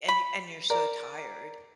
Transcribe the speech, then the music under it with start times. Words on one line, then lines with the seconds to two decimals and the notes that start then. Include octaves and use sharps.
and and you're so tired,
0.08 B5
0.70 A#4 D5